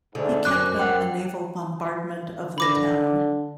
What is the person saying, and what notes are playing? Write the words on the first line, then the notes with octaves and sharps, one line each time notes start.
He kept up a naval bombardment of the town.
D2 G#2 D3
F#2 C#4 A#4 C5 D6 F#6
F#5 G5
D3 B5 D6 A#6